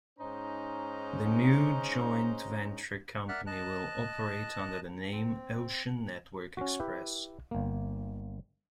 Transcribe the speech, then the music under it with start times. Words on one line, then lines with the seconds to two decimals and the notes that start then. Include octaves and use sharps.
The new joint venture company will operate under the name "Ocean Network Express".
0.18 G#2 C#4 D#4 C5 A#5
3.29 A#4 D5 E5 F#5 F6 F#6
3.47 D#5 A5 F#6
5.12 C4
6.57 C#4 F#4
6.80 E4 G4 B4
7.51 G1 A#3